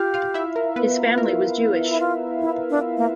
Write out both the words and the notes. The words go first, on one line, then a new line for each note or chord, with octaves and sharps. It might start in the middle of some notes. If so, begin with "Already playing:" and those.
His family was Jewish.
Already playing: F4 G4 F5
F4 F5
E4 E5
A#4
B3 B4
A#4
E4
F4
E4
D4
A#3